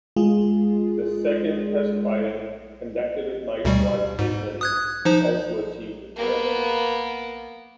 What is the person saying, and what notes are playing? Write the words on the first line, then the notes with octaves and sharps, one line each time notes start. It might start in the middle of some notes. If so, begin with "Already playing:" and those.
The second test firing, conducted at night while stationary, also achieved a direct hit.
G#3 F4 G#4
D2 B2 G3
G#2
D#6 F#6 G#6
F3 D#4 C5
A#3 B3